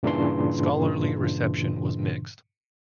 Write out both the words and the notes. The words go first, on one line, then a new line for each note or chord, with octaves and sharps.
Scholarly reception was mixed.
G2 A#2 C#3 E3 D4 C6